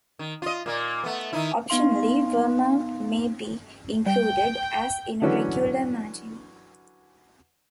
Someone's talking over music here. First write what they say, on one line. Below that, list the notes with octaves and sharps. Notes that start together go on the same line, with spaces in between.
Optionally, vermouth may be included, as in a regular martini.
D#3
F4 D#5
A#2 A#3
A3 B3
D#3 D#4 E4
B3 D#4 F5 C6
G3 G5
D3 E3 F#3 C#4 B4